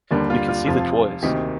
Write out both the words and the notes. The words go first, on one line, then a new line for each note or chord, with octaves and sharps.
We can see the toys...
D#2 D3 G3 A#3
F4
F4
F1 F2 C3 F3 F4
D2 C3 D#3 A#3 D#4 G4